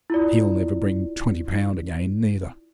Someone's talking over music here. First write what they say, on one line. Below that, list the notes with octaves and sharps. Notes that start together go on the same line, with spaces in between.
He'll never bring twenty pound again, neither.'
E4 F4 D5